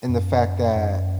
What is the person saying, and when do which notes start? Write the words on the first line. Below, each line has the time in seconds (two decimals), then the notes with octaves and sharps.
in the fact that
0.09 F#2
0.75 F#2